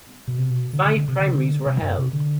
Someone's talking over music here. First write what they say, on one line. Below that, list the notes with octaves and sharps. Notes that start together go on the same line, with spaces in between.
Five primaries were held.
B2
C3
B2
D3
D3
D3
C3
D3
C3
D3
C3
F#2
C3
D3